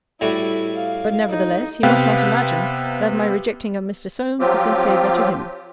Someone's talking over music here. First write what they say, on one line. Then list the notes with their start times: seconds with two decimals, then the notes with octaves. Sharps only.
But, nevertheless, he must not imagine, that my rejecting of Mr. Solmes is in favour to him.
0.21 A2 G3 E4 F#4
0.76 F5
1.29 D#4
1.83 C3 B3 B4 F5 G5
4.40 F3 F#3 C4 F4 G4